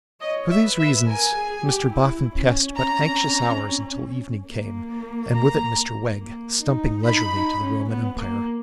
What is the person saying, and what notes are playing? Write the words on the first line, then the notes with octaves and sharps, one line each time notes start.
For these reasons Mr Boffin passed but anxious hours until evening came, and with it Mr Wegg, stumping leisurely to the Roman Empire.
C#5 D#5
E5
B4
E5
A#4 G#5
G#4
G4
E4
C#4
A#5
A#3
A#5
A#3
D#4
D#4 B5
D#4
C#4
B3
A#3